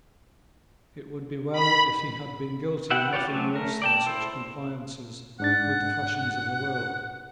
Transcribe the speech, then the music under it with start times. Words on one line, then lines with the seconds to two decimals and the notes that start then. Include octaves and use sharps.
It would be well if he had been guilty of nothing worse than such compliances with the fashions of the world.
1.53 B5
2.90 B4 E5 F#5 G5
3.13 F4 G4 B4 C#5 D5
3.29 F#3 A3 C4 C#4
3.54 A3 A#4
3.82 D5 G5 A5
4.06 E4 A4 C5
5.40 G#2 D4 F#5 A6